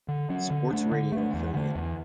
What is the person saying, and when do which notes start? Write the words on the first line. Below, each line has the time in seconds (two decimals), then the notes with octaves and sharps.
Sports Radio affiliate.
0.08 D3
0.30 F#3 C#4
0.51 D3
0.71 A3 D4
0.92 D3
1.12 A3 D4
1.34 E2
1.54 D3 A3
1.76 E2